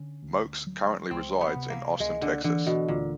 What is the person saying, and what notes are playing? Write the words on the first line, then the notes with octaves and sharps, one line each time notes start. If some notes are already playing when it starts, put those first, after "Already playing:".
Moakes currently resides in Austin, Texas.
Already playing: D3 C#4
D2
F#3
C#2 C4
B3
C3
A#3
C#2 G#3
D3
D3 E3
B2
D2 A#2